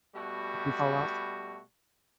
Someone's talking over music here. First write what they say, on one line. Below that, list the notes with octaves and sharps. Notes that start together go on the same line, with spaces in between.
You fall off?
B2 G3 A3 F#4